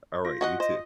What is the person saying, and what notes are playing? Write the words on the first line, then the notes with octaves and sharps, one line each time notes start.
Alright, you too.
F4 A#6
F#4 D#5 F#5
C5 D#5